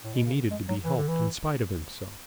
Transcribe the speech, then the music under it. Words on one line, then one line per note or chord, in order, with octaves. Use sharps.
He needed to be helped in spite of himself.
A2
B2
C#3
D3
G#3
F#3
E3
D3
E3